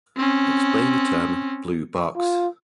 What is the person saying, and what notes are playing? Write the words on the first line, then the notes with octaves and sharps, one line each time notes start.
Explain the term "blue box".
C4 C#4
F4